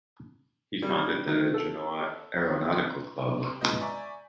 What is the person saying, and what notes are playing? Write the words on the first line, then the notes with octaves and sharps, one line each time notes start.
He founded the Genoa aeronautical club.
G3
D#3
A4
C3
G#3 B3 F4 D#5 G6
D5 E5 G#5 A#5 C#6